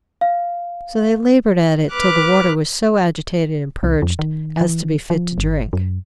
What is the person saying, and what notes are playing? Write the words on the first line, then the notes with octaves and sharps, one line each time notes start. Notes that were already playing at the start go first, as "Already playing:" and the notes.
So they labored at it till the water was so agitated and purged as to be fit to drink.
F5
B4 D6 F6 F#6
C2
F2
D#3
E3
F3
G1
F#2